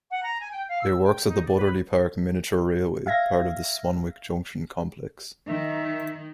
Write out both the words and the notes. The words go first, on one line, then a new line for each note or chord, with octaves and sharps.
It works at the Butterley Park Miniature Railway, part of the Swanwick Junction complex.
F#5
A#5
G#5
G5
F5
E6
G5
D#4
D5
B4
E5 F5 G#6 A#6
D#3 E5